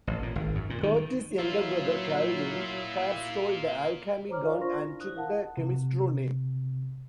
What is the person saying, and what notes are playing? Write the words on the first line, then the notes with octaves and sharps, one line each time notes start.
Curtis' younger brother Calvin Carr stole the alchemy gun and took the Chemistro name.
A1
A#2
G#1
F#2
A#2
D#3
F#3 A#3 E4 F4
C5 C#5 A#5 D6 F6
F4 A#4 D5 F5 G#5
D4 F4 C5 C6 C#6 A#6
E4
D#6 F#6
E4 A#4 F5 F#5 A5
C3